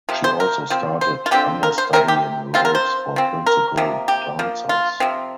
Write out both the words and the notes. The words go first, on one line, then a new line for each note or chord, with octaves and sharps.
She also started understudying roles for principal dancers.
C3 F3
C5
A#4
F3 C4
C5
F4
D3 F3 C4 G4
A#4
C5
C3 G3 C4 A#4
G4
F3 C4 F4
A#4
C5
F3 C4
A#4
C3 F3 A#3
G4
F3 A#3
F4
C3 F3 C4